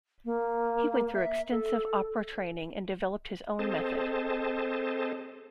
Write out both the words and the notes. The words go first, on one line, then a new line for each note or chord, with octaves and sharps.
He went through extensive opera training and developed his own method.
A#3
E5
A4
C4 G#4 A4 C5 D#5 A5